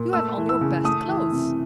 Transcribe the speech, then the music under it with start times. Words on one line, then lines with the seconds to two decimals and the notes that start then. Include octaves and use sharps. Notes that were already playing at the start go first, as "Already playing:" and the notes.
You have on your best clothes!
Already playing: A#2
0.13 A3 E6
0.38 E3
0.49 E6
0.61 C#3
0.84 A3 D#6
1.08 E3
1.32 C3